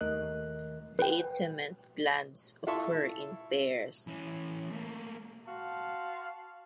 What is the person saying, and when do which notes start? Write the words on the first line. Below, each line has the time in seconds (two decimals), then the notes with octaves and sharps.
The eight cement glands occur in pairs.
0.01 D#2 D#3 A3 A#4 D#5 F#6
0.99 B4 G5
2.67 E4 F4 A4 E5 C6 C#6
4.07 E3 C#4
4.71 A3 A#3
5.47 F#4 F5 A5 C6